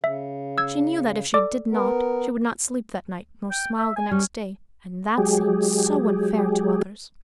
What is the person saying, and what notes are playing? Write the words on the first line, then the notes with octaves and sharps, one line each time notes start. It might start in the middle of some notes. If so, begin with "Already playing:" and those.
She knew that if she did not, she would not sleep that night, nor smile the next day--and that seemed so unfair to others.
C#3 E5
E6 G#6
A4 D5 D6
B3 A#4
G5
E5
G#5
G3 C#4
F#3 G#3 G4 G#4